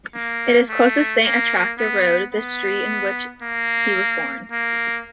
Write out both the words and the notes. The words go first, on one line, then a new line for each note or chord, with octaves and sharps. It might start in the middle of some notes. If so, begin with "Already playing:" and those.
It is close to Saint Attracta Road, the street in which he was born.
A#3
A3
A#3
B3
B3
A#3
A#3